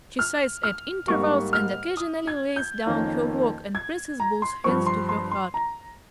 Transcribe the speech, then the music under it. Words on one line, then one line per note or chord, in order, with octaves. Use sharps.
She sighs at intervals and occasionally lays down her work and presses both hands to her heart.
F6
F6
G#2 G3 A#3 C#6
F6
D#6
G#6
G6
F2 D#3 A#3 C#4
G#6
A#5
C6
G2 F3 C4 C#6
C6
C6
C6
A#5